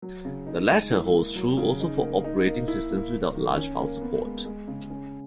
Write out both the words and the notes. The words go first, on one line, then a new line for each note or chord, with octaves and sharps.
The latter holds true also for operating systems without large file support.
F#3
C#3
D#4
G#3
E4
A#3
F#3
C#3
D#4
A#3
D#4
A#3
E4
A#3
A#3
D#3
C#4
A#3
B3
G#3
G#3
C#3
C#4